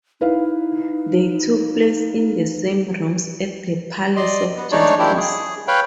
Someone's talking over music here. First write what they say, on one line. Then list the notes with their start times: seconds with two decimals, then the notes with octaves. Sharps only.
They took place in the same rooms at the Palace of Justice.
0.21 D#4 E4 B4 F5
4.17 D5 D#5 C6
4.57 B3
4.72 G#3 A3 D4 D#4 C#5 D5
4.99 D#3 F3 G#3 D4 E4 G4
5.17 G#4
5.68 B4 C#5 F5 G5 B5